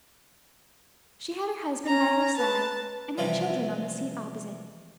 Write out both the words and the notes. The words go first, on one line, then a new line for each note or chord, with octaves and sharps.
She had her husband by her side, and her children on the seat opposite.
C#4 A#5
B4 A5
C3 E3 F3 G3